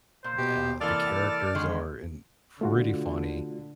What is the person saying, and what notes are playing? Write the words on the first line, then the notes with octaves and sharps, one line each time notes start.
Uh, the characters are in pretty funny.
A#2 C5
B2 G4
C3 E3 A#3 A4 D5 F6
D3 D#3 G#3
D3 A3 F4 F#4